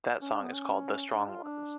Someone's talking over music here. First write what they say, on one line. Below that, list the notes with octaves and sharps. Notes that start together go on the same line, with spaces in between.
That song is called "The Strong Ones".
C#4
D4
B3
C#4
D4
F4
D4